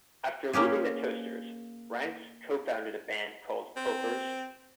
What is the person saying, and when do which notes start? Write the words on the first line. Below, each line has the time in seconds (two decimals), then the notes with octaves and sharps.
After leaving the Toasters, Ranx co-founded a band called Pilfers.
0.53 A#3 C#4 G4 G#4
3.77 C4